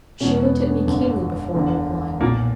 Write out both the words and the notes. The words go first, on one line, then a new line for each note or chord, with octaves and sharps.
She looked at me keenly before replying.
E1 E2 B2 C#4
B3
D4
C#4
F#1 F#2 D3
F#1 E2 D3
B1 A#2 A#3